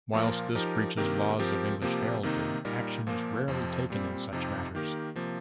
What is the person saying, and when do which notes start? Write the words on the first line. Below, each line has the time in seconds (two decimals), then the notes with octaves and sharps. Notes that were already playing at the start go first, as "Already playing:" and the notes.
Whilst this breaches laws of English heraldry, action is rarely taken in such matters.
0.13 A#2 F3 A#3 F4 A#4
0.55 F3 D#4 G4 A#4
0.97 C3 D#3 A#3 G4 A#4
1.39 F3 C4 G4 A#4
1.82 C3 F3 A#3 G4
2.23 C3 D#3 A#3 D#4
2.65 A#2 G3 D#4 A#4
3.07 A#2 F3 A#3
3.48 F2 C3 F3 C4
3.90 A#2 G3 C4
4.32 F2 C3 F3 D#4 G4
4.75 D#3 A#3 G4 A#4
5.16 C3 F3 A#3